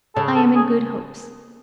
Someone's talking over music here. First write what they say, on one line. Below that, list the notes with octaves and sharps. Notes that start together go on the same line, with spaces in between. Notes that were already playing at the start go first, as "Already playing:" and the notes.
'I am in good hopes.
C#3 A4
A4
G#4